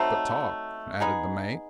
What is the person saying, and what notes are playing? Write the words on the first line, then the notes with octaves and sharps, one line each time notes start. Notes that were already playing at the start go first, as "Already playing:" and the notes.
"But talk," added the mate.
Already playing: F#3 A3 C4 D#4
B3 D#4 G#4